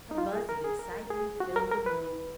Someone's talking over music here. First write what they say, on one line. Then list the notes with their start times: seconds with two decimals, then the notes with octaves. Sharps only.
A buzz of excitement filled the room.
0.11 D#4
0.18 F4
0.33 G#4
0.49 A#4
0.64 G#4
0.79 A#4
1.10 G#4
1.40 F#4
1.56 A#4
1.71 A#4
1.86 B4